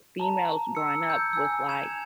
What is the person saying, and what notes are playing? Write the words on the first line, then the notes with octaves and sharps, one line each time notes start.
females growing up with, like,
A5 A#5
E6 C#7
E6 G6 G#6
G#5 E6
G#6 E7 F7